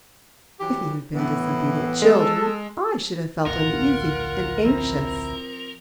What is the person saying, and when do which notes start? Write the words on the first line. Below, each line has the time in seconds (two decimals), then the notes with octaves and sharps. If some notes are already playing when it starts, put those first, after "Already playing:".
If you had been disobedient children, I should have felt uneasy and anxious.
0.60 E3 F#3 G4
1.15 A2 E3 B3
2.02 G#3 A4
3.46 D1 A#1 F4 A#4 F#5
4.64 F3 C4 E4 A#5